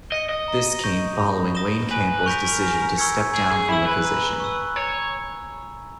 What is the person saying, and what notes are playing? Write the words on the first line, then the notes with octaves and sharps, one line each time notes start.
This came following Wayne Campbell's decision to step down from the position.
D#5 A#6 C#7 G7
D#5
A#5
C#6 G6 A#6
B5
D#6 A#6 E7 G7
B4 G#5
A#4 C#6 G6 B6
G#5
C#6 E6 G#6 C#7
G#4 G#5
G#4
E4 B5 E6
B4
A#5
C#6 E6
C#5 A#5